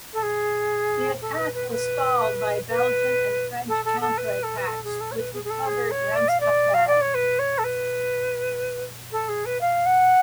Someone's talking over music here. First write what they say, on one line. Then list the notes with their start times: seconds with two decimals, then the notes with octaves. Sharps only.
The attack was stalled by Belgian and French counter-attacks which recovered Ramskapelle.
0.13 A4
0.23 G#4
1.21 A4
1.38 B4
1.54 B4
1.71 B4
2.69 B4
3.68 A4
3.85 A4
4.01 A4
4.18 B4
4.43 A4
4.57 B4
4.67 A4
4.84 G#4
5.00 A4
5.11 C#5
5.17 B4
5.33 G#4
5.44 G#4
5.50 A4
5.66 G#4
5.91 C#5
6.15 D5
6.28 F5
6.40 D5
6.74 F5
6.87 D5
7.01 C#5
7.14 B4
7.39 C#5
7.58 A4
7.64 B4
9.12 A4
9.28 G#4
9.45 B4
9.61 F5
9.86 F#5